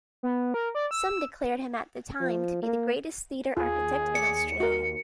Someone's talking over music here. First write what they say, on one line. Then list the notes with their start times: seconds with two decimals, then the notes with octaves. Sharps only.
Some declared him at the time to be the greatest theatre architect in Australia.
0.23 B3
0.54 A#4
0.75 D5
0.91 E6
2.20 F3
2.63 A#3
3.57 D#2 F4 G#4
4.15 D5 C#7
4.60 F#4 A#4